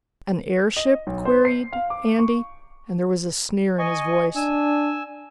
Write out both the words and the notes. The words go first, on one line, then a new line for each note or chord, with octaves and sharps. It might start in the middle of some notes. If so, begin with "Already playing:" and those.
"An airship?" queried Andy, and there was a sneer in his voice.
D#5
B1
C5
C7
F5
D6
C#6
D#5 G#5 C#6
D4 G#5 E6